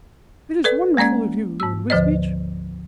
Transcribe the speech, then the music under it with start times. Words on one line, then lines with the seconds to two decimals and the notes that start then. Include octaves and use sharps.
"It is wonderful of you, Lord Wisbeach."
0.64 A4 B4 D5
0.97 G#3 A#3 C#4 D5 G#6
1.60 G#2 E6
1.90 D2 D3 F3 C5 D5 D#5